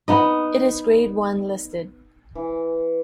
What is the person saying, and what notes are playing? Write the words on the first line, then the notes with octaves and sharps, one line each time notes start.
It is Grade One listed.
B3 D#4 D#5
E3